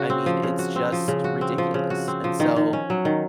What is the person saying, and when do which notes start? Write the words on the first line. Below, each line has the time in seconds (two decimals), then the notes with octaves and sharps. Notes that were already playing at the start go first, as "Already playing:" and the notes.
I mean, it's just ridiculous. And so
Already playing: C#3 F#4
0.10 C4
0.26 F3
0.43 C#3
0.59 F#4
0.76 C4
0.92 F3
1.08 C#3
1.24 F#4
1.41 C4
1.58 F3
1.74 C#3
1.90 F#4
2.08 C4
2.24 F3
2.40 D#3
2.56 D#3
2.73 C#4
2.90 F#3
3.05 D#3